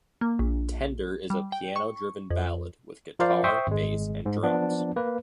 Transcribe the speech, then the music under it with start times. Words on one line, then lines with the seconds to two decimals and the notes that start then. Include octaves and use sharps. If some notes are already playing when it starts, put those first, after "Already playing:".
"Tender" is a piano-driven ballad, with guitar, bass and drums.
0.21 A#3
0.39 A#1
1.30 G3
1.52 G5
1.76 C#6
2.30 F2
3.19 F3 F4 A#4 C5 D5 F5
3.44 C5 E5 G5 C6 C#6 D#6
3.67 G#1 G#3
4.26 G#2
4.43 F3 B3 D4
4.96 A#3 B4